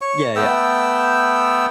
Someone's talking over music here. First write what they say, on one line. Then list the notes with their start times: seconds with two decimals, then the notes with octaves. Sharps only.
Yeah, yeah.
0.01 C#5 C#6
0.36 A3 B3 G5 E6